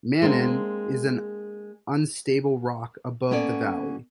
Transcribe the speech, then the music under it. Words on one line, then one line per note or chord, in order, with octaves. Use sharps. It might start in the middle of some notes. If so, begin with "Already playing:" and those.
"Mannen" is an unstable rock above the valley.
G#3 A#3 C4 D4
A#3 B3 C#4 A4 D5